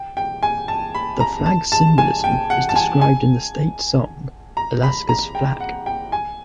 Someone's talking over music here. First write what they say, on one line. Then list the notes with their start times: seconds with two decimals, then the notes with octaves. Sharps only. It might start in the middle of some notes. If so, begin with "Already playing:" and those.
The flag's symbolism is described in the state song, "Alaska's Flag".
Already playing: G5
0.17 G5
0.43 G#5
0.68 A5
0.95 B5
1.20 A#5
1.46 A5
1.72 A5
1.98 G#5
2.24 G5
2.50 F#5
2.69 A5
2.76 G#5
3.01 G#5
4.57 A#5
4.83 B5
5.09 A#5
5.35 G5
5.60 F#5
5.86 G5
6.12 G#5